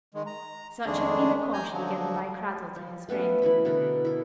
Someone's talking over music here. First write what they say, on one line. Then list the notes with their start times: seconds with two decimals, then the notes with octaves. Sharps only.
Such had been the caution given by Cradell to his friend.
0.14 D#3 G#3
0.27 A#5
0.86 F2 D#3 G#3 A3 D4 G#4
1.53 G#5 A#5 G6
1.73 D3 F3 F#3
2.76 F3
3.09 A3 B3 C#4 F#4
3.42 E3 E4 C#5 B5
3.65 B2 D3 A4 A#4
4.05 E4 A4